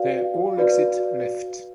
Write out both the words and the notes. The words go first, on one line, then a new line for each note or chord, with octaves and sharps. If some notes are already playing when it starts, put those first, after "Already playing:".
They all exit left.
Already playing: F#4 B4 D5 F5
F#4 B4 D5